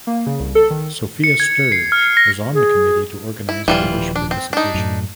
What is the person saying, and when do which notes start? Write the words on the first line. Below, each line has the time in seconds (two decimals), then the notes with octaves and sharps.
Sophia Sturge was on the Committee to organize British participation.
0.07 A#3
0.26 C#3
0.40 C2
0.55 A4
0.70 D#3
1.24 C#7
1.40 G#6
1.72 C7
1.92 F6
2.17 A#6
2.54 G#4
3.49 E4
3.68 D#1 E3 F3 G3 F4
4.16 D4
4.31 C4
4.53 D4 D#4
4.74 F#2 A2